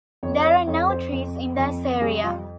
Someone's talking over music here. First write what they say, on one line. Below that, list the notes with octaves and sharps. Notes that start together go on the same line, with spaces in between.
There are no trees in this area.
F2 C#5
C#5
D#5
F2 C#5
C5
F2
F2
G3 G#4
F4